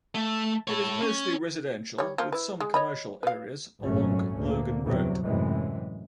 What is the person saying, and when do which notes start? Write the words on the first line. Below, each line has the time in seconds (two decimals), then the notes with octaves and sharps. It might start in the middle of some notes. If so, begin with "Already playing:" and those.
It is mostly residential, with some commercial areas along Logan Road.
0.15 A3
0.68 A4 C#5
1.02 C#4
1.98 G3 C#5
2.18 F3 A#3
2.32 E4 B4
2.60 G#3
2.74 C#5 D#5 B5
3.23 B4 F5
3.81 G#1 F#2 A#2 F#3 A3 C#4
4.36 D2 A#2 D3 A#3
4.84 E2 G2 C3 F#3
5.24 F#2 A2 C3 E3 G#3